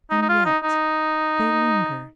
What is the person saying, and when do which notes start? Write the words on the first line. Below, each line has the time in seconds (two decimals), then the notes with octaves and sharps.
And yet they lingered.
0.11 D#4
0.22 D#4
0.29 F4
0.46 D#4
0.64 D#4